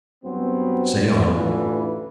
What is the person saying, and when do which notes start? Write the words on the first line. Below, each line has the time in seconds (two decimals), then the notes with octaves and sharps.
"Say on."
0.23 G2 F#3 B3 C4
1.24 A1 D3 E3 F4 B4